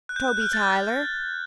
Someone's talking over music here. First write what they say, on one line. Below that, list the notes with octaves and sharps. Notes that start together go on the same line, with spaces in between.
"Toby Tyler."
F#6
G6
F#6
F6
A6